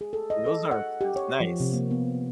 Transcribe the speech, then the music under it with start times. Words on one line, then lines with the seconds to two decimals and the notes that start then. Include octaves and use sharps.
Those are pris nice.
0.01 G#4
0.13 A4
0.30 D#5
0.46 A4
0.71 F#5
1.01 G4
1.16 C#5
1.40 F3
1.60 C3
1.73 A#3
1.91 B3